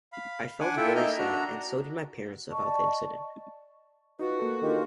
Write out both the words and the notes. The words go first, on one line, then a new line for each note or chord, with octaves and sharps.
I felt very sad, and so did my parents about the incident.
F5 B5
D4 F#5 G#5 D6
E4 F4 A4 E5 G5
A#3 D#4 D#5 E5 F6 G6
D4 F#4 A#5
D5 D#5 A5 C#6
D#4 F4 F#4 B4
A#3 A4
D#3 D4 F4 G4